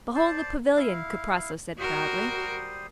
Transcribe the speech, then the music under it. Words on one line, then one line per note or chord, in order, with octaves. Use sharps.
'Behold the Pavilion,' Kuprasso said proudly.
C5 D5 A5
E4 F5
G3 F#4 A#4 C5 D#6